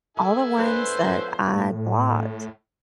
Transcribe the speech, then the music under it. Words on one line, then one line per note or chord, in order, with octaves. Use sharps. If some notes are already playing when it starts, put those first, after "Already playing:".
all the ones that I blocked
A#3 E4 A4 G#5
G#3 B3 D4 B4 C5
F3 C#5 D5
A2